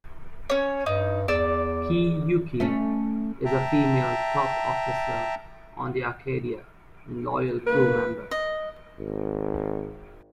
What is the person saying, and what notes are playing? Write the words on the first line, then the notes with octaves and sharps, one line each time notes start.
Kei Yuki, is a female top officer on the Arcadia and loyal crew member.
C#4 C#5
G2 D#4
E2 D5 E6
A3 C#4
E5 G5 A5 A#5
A1 G#2 A#3 B4
D#5
G#1